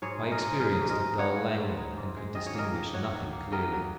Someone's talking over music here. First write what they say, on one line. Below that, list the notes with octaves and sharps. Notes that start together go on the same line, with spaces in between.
I experienced a dull languor and could distinguish nothing clearly.
G#2 G#4 C#5
D#4
A#4 D#5
G#2
G#3 A#4 D#5
G#2
A#4 D#5
D#4
G#2 C#5 F#5
G#3
G#2
D#4
G#2
G#3
D#3 D#5
C#5
A#3 A#4 D#5
D#3
F#3 C#5 F#5
D#3
A#3
D#3 A#4 D#5
F#3